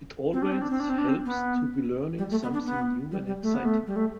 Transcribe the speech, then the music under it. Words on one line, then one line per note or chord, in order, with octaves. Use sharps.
It always helps to be learning something new and exciting.
C4
D4
C4
D4
C4
D4
C4
D4
C4
B3
G3
A3
B3
D4
B3
G3
G3
A3
B3
A3
G3
A3